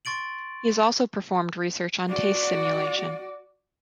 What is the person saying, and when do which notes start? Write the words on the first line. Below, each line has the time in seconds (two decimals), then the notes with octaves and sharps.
He has also performed research on taste simulation.
0.05 C6 C#6 A6 D7 F#7
2.08 F#4 D5